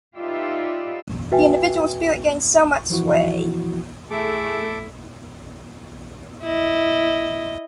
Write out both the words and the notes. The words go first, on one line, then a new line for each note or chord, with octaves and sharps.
The individual spirit gains so much sway.
D#4 F4 G4 B4 D5 E5
F#4 B4 E5 G5 G#5
E3 F3 E4 F#4
A3 E4 G#4 A4 D6
E4 D#5